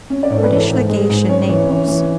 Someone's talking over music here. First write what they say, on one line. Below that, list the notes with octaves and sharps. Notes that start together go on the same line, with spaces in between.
British Legation, Naples.
C#4
D5
G#2 C#5
A4
B4
E3
A4
G#2
G#3
G#2
C#4 C#5
E3 C#5
C#4
E3